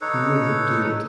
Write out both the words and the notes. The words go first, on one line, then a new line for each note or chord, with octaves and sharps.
He wouldn't do it.
D#4 A4 B4 C#5